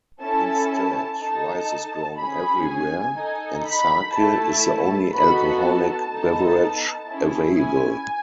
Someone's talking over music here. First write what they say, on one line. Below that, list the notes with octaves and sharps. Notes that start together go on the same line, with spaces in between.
Instead, rice is grown everywhere, and sake is the only alcoholic beverage available.
C#4 E4 A4 A5
D#4 A4 A5
C#4 G#4 B5
G#5
D#4 A4 G#5
B5
A3 E4 A4 A5
B3 D#4 F#4 A4 B5
A5
B3 D#4 A4
C#4 E4 G#4
G#5